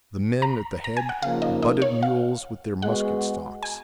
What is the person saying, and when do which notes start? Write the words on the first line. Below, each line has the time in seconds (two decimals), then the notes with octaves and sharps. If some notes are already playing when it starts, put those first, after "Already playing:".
The men at the head butted mules with their musket stocks.
0.42 A#5
0.84 A#5
0.97 G#5
1.09 F#5
1.22 C#3 F3 A#3 D#4 F5
1.42 D#5
1.63 D#5
1.82 C#5
2.03 F5
2.82 G#3 B3 F#4 F#5
3.63 G#5